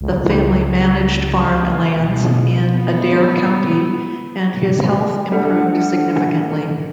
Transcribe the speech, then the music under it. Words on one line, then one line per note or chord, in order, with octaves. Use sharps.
The family managed farm lands in Adair County, and his health improved significantly.
C#2
B2
B3
G3 A3 D4 F#5